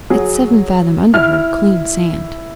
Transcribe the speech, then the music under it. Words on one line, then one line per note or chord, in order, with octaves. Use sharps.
It's seven fathom under her--clean sand.
F#3 G#4
E4 F6